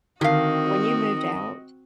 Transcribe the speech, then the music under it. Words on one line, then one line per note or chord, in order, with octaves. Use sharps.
when you moved out
D3 D#3 C4 F#4 D#5 F5